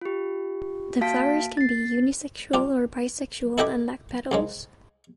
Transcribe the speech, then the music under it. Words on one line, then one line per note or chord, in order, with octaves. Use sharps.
The flowers can be unisexual or bisexual and lack petals.
F4 G4
A#3 F#4 F5 A5 B6 D7
A6 C7
D4 F4 G4
E4 A4 D#5 G5 B5 D6
C2 C#3 G#3